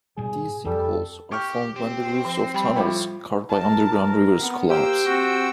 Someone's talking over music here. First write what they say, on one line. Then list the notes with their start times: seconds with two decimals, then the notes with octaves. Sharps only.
These sinkholes are formed when the roofs of tunnels carved by underground rivers collapse.
0.18 G#2 B2 G3 G#4
0.65 F2 G3 A4
1.32 G4 C#6 F6 G6
1.76 C4 G4
2.25 F3
2.54 G3 G5 B5
2.76 A2 F3 G3 F4 C5 B5
3.49 A#4 A5
4.39 B3
4.70 A#3 G4 C5 G5 E6
5.06 C4 F#4